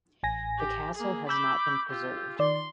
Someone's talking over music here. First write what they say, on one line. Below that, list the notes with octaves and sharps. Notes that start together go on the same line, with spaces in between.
The castle has not been preserved.
A1 G#5 A#6
G4
A#3 G#4
B5 D6 E6 G6
F4 G4
D#3 D5 C6